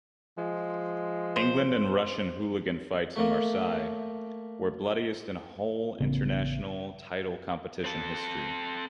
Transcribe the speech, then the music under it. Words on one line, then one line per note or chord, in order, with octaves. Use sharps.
England and Russian hooligan fights in Marseille were bloodiest in whole international title competition history.
F3 G#3
C5
A3 A#3
A1 C#3 B3
C4 A4